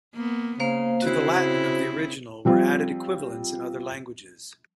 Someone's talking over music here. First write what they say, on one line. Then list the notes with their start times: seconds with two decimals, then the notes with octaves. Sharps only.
To the Latin of the original were added equivalents in other languages.
0.14 A#3 B3
0.60 C#3 A#3 C5 F5
1.02 C#3 C4 E4 F#4 C5
2.45 F3 G3 C4 F4